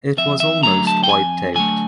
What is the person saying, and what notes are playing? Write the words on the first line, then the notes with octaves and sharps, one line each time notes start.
It was almost wiped out.
F2 E5
E5
D3 F#3 A3 A#5
A5
G5
F2 G#5
D3 F#3 A3 G#5